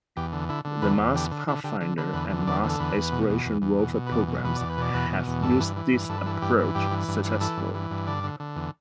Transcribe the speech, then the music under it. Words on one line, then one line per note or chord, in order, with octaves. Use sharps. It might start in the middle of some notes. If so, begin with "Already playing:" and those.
The Mars Pathfinder and Mars Exploration Rover programs have used this approach successfully.
E2 G4
D3
D3 E4
D3
E2 B4
E2
D3 G4
D3
D3 E4
D3 G4
D3
D3 B4
E2 B4
D3
E2 D5
D3
A4
E2 B4
E2
B2
E2
E2
E2
B2
B2
B4
E2 D5
B2
E2 B4
E2 D5
B4
B2 D5
E2 B4
B2
E2
G2 A4
E3
E3
G2
G2 A4
B4
E3 A4
G2 G4
E3
G2 G4
E3
G2
E3
E3 A4
G2
E3
G2
D3 D5
D3
D3
E2